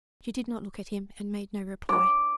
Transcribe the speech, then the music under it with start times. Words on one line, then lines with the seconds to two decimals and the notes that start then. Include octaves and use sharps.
She did not look at him, and made no reply.
1.89 D6